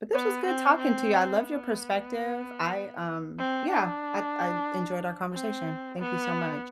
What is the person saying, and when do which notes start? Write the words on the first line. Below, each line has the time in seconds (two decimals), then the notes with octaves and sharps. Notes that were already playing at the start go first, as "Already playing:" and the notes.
But this was good talking to you. I love your perspective. I, um, yeah, I I enjoyed our conversation. Thank you so much.
0.14 B3
0.45 C4
0.78 C4
1.43 B3
3.39 C4
3.71 D4
5.33 C4
5.99 B3